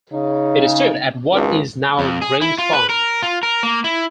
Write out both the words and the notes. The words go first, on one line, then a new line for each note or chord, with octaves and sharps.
It stood at what is now Grange Farm.
C#3 D#4
G#1 C#2
F2
G#4
E4
F4
B4
A#4
F4
A#4
A#3
E4